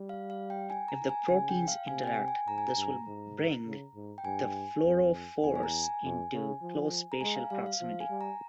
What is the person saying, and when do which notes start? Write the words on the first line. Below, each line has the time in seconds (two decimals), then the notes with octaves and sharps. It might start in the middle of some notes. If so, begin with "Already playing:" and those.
If the proteins interact, this will bring the fluorophores into close spatial proximity.
Already playing: G3
0.09 F5
0.30 F5
0.50 G5
0.70 G#5
0.88 A#5
1.09 G#5
1.28 C#3 G#5
1.49 G5
1.68 F5
1.87 C3 G#5
2.04 G5
2.07 G#5
2.28 G#5
2.47 G#2 A#5
2.58 G#5
2.69 A#5
2.76 G2
3.07 G#2
3.66 C#3
3.95 G#2
4.18 G5
4.25 G2 G#5
4.84 F2
5.43 E2 G#5
5.55 G#5
5.63 A#5
5.83 G#5
6.03 F2
6.32 C#3
6.62 F3
7.12 A#5
7.21 G#3 G#5
7.36 F5
7.50 G3 F5
7.66 F5
7.80 F3 F5
8.00 G#5
8.10 G3
8.21 A#5